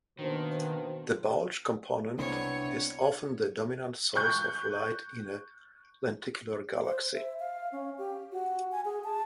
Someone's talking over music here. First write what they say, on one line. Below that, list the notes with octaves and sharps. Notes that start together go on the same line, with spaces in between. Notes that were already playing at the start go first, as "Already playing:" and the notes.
The bulge component is often the dominant source of light in a lenticular galaxy.
B2 D#3 A#3 D4 C5
C2 C3 B3 C4 D4 E4 C#5
C#6 F#6 G6
C5
E5
F5
C#4
G4
F#4
G#5
G#4
A5